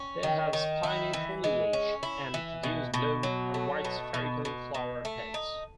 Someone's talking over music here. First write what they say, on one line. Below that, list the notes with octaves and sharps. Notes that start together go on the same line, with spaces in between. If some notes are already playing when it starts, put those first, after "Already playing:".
They have spiny foliage and produce blue or white spherical flower heads.
Already playing: C#4
D#3
D#3
E4
E3
G#3
C#4
E4
E3
B2
B2
F#3
A3
B2
B2
B2
B2
A3
D#4